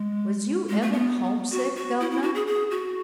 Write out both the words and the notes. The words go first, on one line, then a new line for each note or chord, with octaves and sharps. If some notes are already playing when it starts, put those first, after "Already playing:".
Was you ever homesick, governor?'
Already playing: G#3
G#3
A3
B3
F#4
F#4
E4
E4
F#4
G#4
G#4
F#4